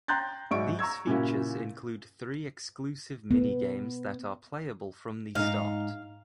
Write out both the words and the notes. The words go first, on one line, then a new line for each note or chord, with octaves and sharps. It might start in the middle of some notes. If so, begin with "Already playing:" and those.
These features include three exclusive minigames that are playable from the start.
G5 A#5 C6 F#6 G6 A6
G#2 F#3 D5 E5 C#6 D7
A#5 C#6 E6 G#6
A#2 C#3 C#4 E4 F#4
B3
G#2 D#4 F5